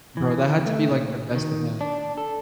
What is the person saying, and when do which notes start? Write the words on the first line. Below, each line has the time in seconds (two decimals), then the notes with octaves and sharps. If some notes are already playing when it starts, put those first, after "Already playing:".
Bro, that had to be, like, the best event.
0.17 E3
0.66 A3
0.89 A#2
1.35 D#3
1.81 D4
2.18 A4